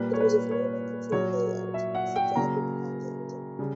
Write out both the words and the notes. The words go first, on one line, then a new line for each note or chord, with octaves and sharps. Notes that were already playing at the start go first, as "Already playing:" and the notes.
It was of normal control layout, with the driver behind the engine.
Already playing: A#2 G3 A#3 B4
C#5
B4
C#5
A#2 F#3 A#3 C#5
E5
F#5
G5
C#3 F#3 A#3 A#5
C#3 G3